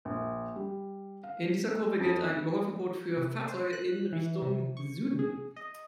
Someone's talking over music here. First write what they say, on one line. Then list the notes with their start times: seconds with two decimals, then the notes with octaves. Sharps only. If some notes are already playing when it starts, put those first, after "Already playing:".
In dieser Kurve gilt ein Überholverbot für Fahrzeuge in Richtung Süden.
0.05 A#1
0.56 G3
1.24 F5
1.69 E6
2.00 F2
3.17 C3
3.48 C5
3.73 F#6
4.12 E3
4.42 C3
4.77 C#6
5.19 G#4
5.56 D#5